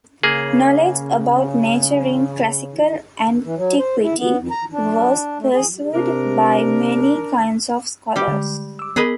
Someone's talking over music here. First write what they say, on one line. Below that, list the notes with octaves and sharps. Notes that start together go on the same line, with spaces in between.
Knowledge about nature in Classical Antiquity was pursued by many kinds of scholars.
C#3 A#3 G#4
E3
F#3
C5
E4
B3
F2
A#5
D4
A3
G#4
C3 D4 A#4
G3 G4
D3 G#3
D6 E6
B3 G#4 A#4 B4 D#5